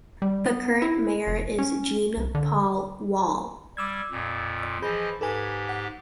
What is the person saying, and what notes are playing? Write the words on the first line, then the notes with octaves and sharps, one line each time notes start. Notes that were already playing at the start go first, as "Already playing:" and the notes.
The current mayor is Jean-Paul Wahl.
G3
B3
E4
F1
C#4
C2
D3
G3 D6 E6 G#6
F2 A#2
E3 F3 G#4 D#5 B5 G6
G#2 G4 A4 B4 G#5
F#5